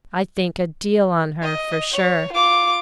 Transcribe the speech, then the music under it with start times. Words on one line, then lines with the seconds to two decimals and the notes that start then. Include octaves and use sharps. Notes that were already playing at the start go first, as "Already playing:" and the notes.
I think a deal on her, for sure.
1.42 D#5
1.93 C#5
2.34 F4 D6